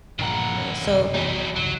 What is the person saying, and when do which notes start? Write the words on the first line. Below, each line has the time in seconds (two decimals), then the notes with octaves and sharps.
you know? So
0.19 E1 A#1 G2 A#2 D#3 F3 F#5 A#5
0.86 B1 F#2 C3
1.14 A1 E2 F#3 G3 D#4
1.56 C2 G2 C#3 F#3